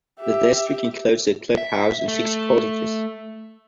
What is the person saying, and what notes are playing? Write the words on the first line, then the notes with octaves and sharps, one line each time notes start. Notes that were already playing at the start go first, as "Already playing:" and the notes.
The district includes the Club House and six cottages.
G4 E5
E5
A3